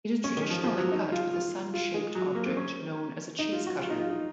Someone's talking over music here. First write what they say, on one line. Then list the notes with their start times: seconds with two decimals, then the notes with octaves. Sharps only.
It is traditionally cut with a sun-shaped object known as a cheese cutter.
0.24 C#4
0.37 D#3
0.50 F3
0.64 F3
0.78 F#3
0.92 D#4
1.12 F4
1.33 F4
1.74 F4
1.94 G#3
2.15 F#3
2.35 A#3
2.46 C4
2.57 C#4
3.39 D#4
3.53 F4
3.66 F#4
3.80 F4
3.90 D#4
4.00 F4
4.10 D#4